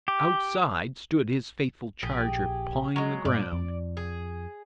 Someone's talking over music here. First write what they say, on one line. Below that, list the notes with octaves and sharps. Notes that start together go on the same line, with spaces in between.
Outside stood his faithful charger, pawing the ground.
G4
A#1 G4 G#4
F#3 G#3
G2 A#2 D5
F2
G#4